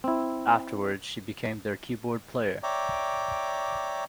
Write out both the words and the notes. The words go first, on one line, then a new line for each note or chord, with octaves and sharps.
Afterwards, she became their keyboard player.
C4 E4
C#5 D5 E5 G5 A#5 D6